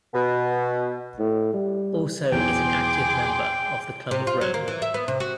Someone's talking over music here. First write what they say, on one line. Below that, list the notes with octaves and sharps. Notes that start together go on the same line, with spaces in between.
Also is an active member of the Club of Rome.
B2
A2
G3
B1 E2 G#4 G5 C6 D6
C3
F4
F#3
A#3
E3
E5
B3
C3
F#4